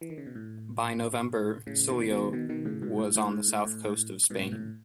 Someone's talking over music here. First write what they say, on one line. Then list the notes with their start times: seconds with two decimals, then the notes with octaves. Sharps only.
By November "Clio" was on the south coast of Spain.
0.01 E3
0.10 D#3
0.18 C#3
0.26 B2
0.35 A2
1.67 A2 C#3
1.89 B2 D#3
2.11 B2 D#3
2.33 B2 D#3
2.49 B2 D#3
2.65 A2 C#3
2.82 G#2 B2
2.98 A2
3.15 A2
3.32 G#2
3.48 A2
3.65 A2
3.87 A2
4.30 G#2 B2
4.52 A2